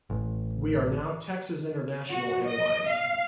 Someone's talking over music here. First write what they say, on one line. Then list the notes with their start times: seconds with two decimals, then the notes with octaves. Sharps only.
We are now Texas International Airlines.
0.10 A1
2.11 F#4
2.46 D#5
2.89 F5